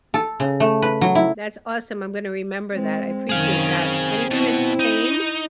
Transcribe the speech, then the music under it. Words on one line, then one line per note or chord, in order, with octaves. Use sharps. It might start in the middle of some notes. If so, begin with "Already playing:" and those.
That's awesome, I'm gonna remember that, I appreciate that. Anything that's tame?
A4
C#3
A3
B4
F#3
E4
G#3 C4
F#2 D#3 G#4 F5
B2 E4
D#4